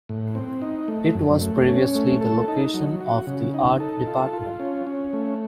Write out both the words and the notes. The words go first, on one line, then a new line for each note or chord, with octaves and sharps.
It was previously the location of the art department.
A2
C4
D#4
A3
F#2
A3
C#4
A3
A4
D#4
F#3
F#4
C#3
D#4
A4
F4
F4
C#4
C#4
A3